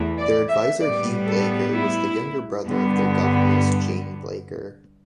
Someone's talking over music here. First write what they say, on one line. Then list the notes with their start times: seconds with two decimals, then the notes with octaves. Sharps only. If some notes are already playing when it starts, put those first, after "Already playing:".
Their advisor Hugh Blaker was the younger brother of their governess Jane Blaker.
Already playing: E2 E3 A3
0.18 D5
0.49 E5
0.79 A2 G3 B3 D5
1.26 A4
1.71 E4
2.64 G2 D3 G3 B3